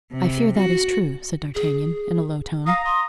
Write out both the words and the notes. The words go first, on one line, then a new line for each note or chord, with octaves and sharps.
"I fear that is true," said D'Artagnan, in a low tone.
C3
F#4
G#4
F5 A#5 D#6
C6